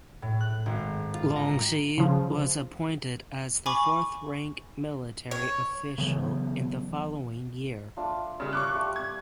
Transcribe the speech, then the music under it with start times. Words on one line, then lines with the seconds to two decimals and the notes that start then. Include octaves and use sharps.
Longxi was appointed as the fourth rank military official in the following year.
0.22 A2
0.41 F#6
0.66 G#1
1.14 F4
1.36 A#5
1.98 C#3 F3
3.66 G#5 B5 C#6 D6
5.31 C#5
5.98 C#3 E3 F#3 B3
7.97 A3 D4 F4
8.40 C#3 G3
8.53 C#6 D6 F#6
8.73 G3 A3
8.96 G#6